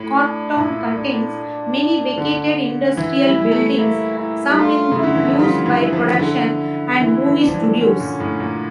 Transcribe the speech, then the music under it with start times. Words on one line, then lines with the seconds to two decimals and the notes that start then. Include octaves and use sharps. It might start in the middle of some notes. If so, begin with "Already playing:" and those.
Corktown contains many vacated industrial buildings, some in use by production and movie studios.
Already playing: A2
0.16 D4
0.56 A#2 E4
0.96 D4
2.18 D3
2.97 E3 E4
3.24 G3
3.51 A3
3.78 A#3 E4
4.19 E4
4.50 G3
4.59 A3 F4
4.91 C#3
4.99 D3 E4
5.15 E3
5.27 F3
5.39 G3 F4
5.66 E3
5.79 E4
5.93 F3
6.13 E3
6.19 D3 E4
6.99 E3 E4
7.26 E3
7.39 D4
7.48 F3
7.54 E3
7.80 D3 C#4
8.00 A#2
8.20 A2
8.40 A#2